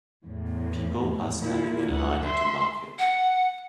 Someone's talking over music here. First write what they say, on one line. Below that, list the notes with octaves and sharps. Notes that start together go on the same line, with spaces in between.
People are standing in line at a market.
E2 A2
A#2 E4
D2 F#5
E5 C6
F#5